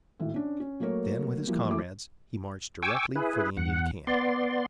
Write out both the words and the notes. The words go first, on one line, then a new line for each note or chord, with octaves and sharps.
Then, with his comrades, he marched directly for the Indian camp.
G#1 A2
C#4 D4
C#4
F#3 A3 A#3 A#4 C#5
E3 F3 G3 A#3
F#2 E3 A3 D6
G5 G#5 C#6 D6 E6
E4 G#4 B4
E2 F#5
B3 D5 C6